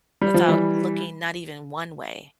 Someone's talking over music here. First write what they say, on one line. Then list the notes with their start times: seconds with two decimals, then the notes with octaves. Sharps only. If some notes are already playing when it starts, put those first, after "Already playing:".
without looking not even one way.
0.22 G3
0.34 F3
0.48 E3 G3